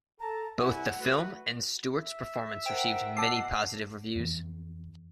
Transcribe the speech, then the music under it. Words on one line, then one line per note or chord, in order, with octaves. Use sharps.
Both the film and Stewart's performance received many positive reviews.
A4 A5 A#5
C2 E4 F#5 G#5
A3 F#4 B4
E5
A#4 C5 F#5 G5
B2 F#5 A5 D6 E6 C7
F2 E3